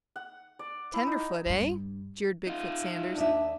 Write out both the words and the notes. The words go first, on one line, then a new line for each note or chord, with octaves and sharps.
"Tenderfoot, eh?" jeered Big-foot Sanders.
F#5
D5
E4
D#4
G2 E4
D#4 F4
D#2 D4 E5